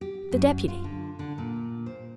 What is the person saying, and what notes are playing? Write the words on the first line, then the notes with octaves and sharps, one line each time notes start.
"The deputy."
G4
F#2
F4
D3
D3
A#2
C5